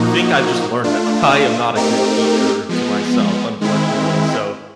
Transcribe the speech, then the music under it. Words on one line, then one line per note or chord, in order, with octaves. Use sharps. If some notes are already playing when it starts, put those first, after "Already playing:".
think I've just learned that I am not a good teacher to myself, unfortunately, so,
Already playing: A#2 F3 A#3 D#4 F#4
A3 D4 F4
A3 C4 D#4 G4 A#4
F3 G#3 B3
D#3 G#3 C4 E4